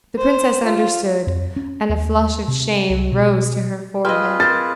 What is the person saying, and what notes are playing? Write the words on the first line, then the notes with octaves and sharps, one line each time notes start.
The princess understood, and a flush of shame rose to her forehead.
C5
F4
F2
C#4
D#2
C3
C2
B2
C4 F4 G#4 B4 D#5 F6
A#4 C5 A6